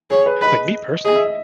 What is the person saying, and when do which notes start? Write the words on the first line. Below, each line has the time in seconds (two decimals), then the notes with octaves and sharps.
like me personally,
0.10 G#4 C#5
0.26 B4
0.41 B4 D#5
1.05 G#4 D#5
1.15 E5
1.26 E5